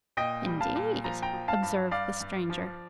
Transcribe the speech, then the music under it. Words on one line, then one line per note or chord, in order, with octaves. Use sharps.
"Indeed?" observed the Stranger.
A#2 D#5 G5
G3
F5 A5
A#2
F3 A#5
G5 A#5
F3
F5 A5
G2
G2 D5 F5
G2
F3